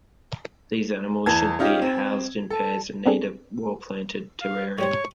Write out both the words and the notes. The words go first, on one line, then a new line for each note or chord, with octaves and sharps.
These animals should be housed in pairs and need a well planted terrarium.
E2 A5 G#6
C#4 D#4 F4 G4
C4
A4
B3 C4 D4 G#4 A4
F5
G#2 G3 C5 C#5 C#6